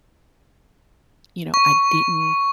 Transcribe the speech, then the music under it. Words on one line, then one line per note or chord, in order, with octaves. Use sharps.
you know, I didn't
C#6